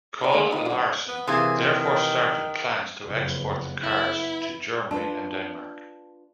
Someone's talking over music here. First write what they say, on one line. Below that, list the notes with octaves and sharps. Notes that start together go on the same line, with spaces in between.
Kohl-Larsen therefore started plans to export the cars to Germany and Denmark.
D#4 D5
D#3 G#3 A#3
C4 D#4 F4
D3 F#3
B3
C3 E3 A#3 G#4
D#3
F#1 F2 B3
B3 E4
D4 F4 B4 A5